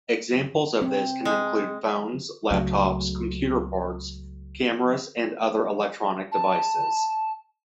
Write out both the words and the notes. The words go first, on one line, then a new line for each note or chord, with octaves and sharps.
Examples of this can include phones, laptops, computer parts, cameras and other electronic devices.
C4
G#3
C#2 C#3 F#3 A3
A5